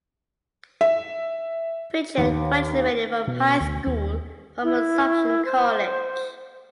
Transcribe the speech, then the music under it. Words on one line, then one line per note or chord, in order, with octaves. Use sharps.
Pichet graduated from high school from Assumption College.
E5
D#2
B2
D2
D#2
E4
C5